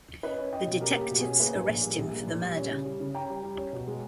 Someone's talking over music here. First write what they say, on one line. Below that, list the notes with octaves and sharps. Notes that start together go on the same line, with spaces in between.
The detectives arrest him for the murder.
C#4 B4 D#5
C#4
C#4 D#5 G5
B2
C#4 G4 A#4
A#3
G4
B2
G#4
C#4
A#3 G#4 B4
A#1
A#2
G3
A#1
A#3
A#2
G3
C#4
C#3
G3
C#3
C#4 G5 A#5
G3
G3
C#4
B2
G#3